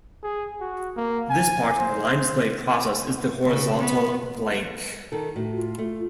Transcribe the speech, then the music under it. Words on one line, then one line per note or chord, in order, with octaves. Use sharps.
This part of the line display process is the Horizontal Blank.
G#4
F#4
A#3
G#5
C5
C#3
B3
D#3 A4
A2 F#4
F4
A3